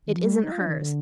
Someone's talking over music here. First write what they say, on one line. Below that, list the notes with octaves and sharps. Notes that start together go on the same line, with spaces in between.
It isn't hers!
D#3
F3
G3
G#3
D#4
F4
D4
F3
D#3
D3